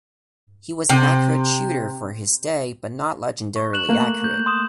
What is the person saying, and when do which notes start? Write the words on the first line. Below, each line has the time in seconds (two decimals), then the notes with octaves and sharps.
He was an accurate shooter for his day but not legendarily accurate.
0.89 C3
3.56 C#6
3.73 F#6 E7 F#7
3.89 A3 A#3
4.24 G6
4.46 C6 D#6 E7